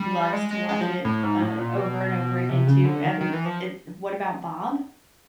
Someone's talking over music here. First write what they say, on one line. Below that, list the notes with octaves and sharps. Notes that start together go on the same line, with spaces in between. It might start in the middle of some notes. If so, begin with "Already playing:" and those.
loves to watch it, uh, over and over again, too. And it What About Bob?
Already playing: G3
G#3
G#3
G#3
F3
A2
G#2
A2
A#2
B2
C3
C#3
D3
D#3
D#3
E3
F3